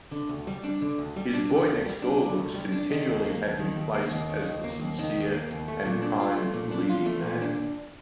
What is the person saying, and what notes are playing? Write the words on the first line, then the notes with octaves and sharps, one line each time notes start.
His boy-next-door looks continually had him placed as the sincere and kind leading man.
D3
D2
G3
D4
D3
D2
G3
D4
D3
D2
G3
D4
D3
D2
G3
D4
D#3
D#2
A#3
D#2
D#3
D#2
A#3
D#2
D#3
D#2
A#3
D#2
D#3
D#2
A#3
D#2
A3
A#2
D4
F4
A3
A#2
D4
F4
A3
A#2
D4